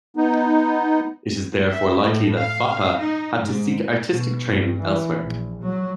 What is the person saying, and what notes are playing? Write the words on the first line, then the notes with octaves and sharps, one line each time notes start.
It is therefore likely that Foppa had to seek artistic training elsewhere.
B3 D#4
E5
A2
F5
D#4
G#2
B2
G2
E3
A#1
F#3